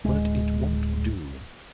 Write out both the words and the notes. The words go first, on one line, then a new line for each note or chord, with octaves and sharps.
'But it won't do.
D1 G#3